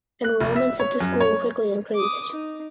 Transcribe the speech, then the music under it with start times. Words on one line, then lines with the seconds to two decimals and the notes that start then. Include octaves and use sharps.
Enrolments at the school quickly increased.
0.24 F#6
0.41 F1
0.56 E5
0.80 C#5
1.01 F#2
1.20 C#5
1.95 D6 D#6
2.32 D#4